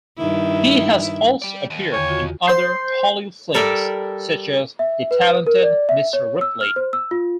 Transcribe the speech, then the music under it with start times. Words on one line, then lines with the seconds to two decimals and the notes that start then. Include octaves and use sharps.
He has also appeared in other Hollywood films, such as "The Talented Mr. Ripley".
0.18 G2 D#3 E4
1.42 G4 D5
1.70 D#2
1.93 E2 D3 C#5
2.09 F4 F#4
2.47 C5 C6 G6 C7
3.54 G3 A4 A#4 D5 E5
4.79 E5
5.11 B4
5.47 A#4
5.63 D5
5.89 E5
6.13 C#5
6.41 E6
6.61 F6
6.76 C5
6.93 E6
7.11 F4